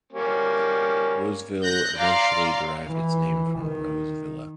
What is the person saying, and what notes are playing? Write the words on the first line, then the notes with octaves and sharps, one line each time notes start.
Roseville eventually derived its name from "Rose Villa".
G3 A#3 C#4
F#6 G6 A#6
D5 F5 A#5 C6
E3
D#3